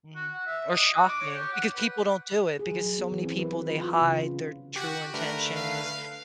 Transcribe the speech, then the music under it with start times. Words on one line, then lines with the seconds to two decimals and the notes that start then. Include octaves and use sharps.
Mhm. Or shocking because people don't do it because so many people, they hide their true intentions.
0.15 F#4
0.33 F#5
0.46 E5
0.69 D#5
0.93 F#4
1.09 D6
1.21 C#5
1.34 G4
1.53 F#5
1.75 B4
2.59 G#4
2.71 F#3
2.86 F#3
2.99 B3
3.12 E3
3.25 C4
3.39 B4
3.56 F#4
3.69 F4
3.84 F4
4.01 C#3
4.13 F4
4.76 F#4 G4 F#5
5.14 D3 A3 A#4 B4
5.56 F5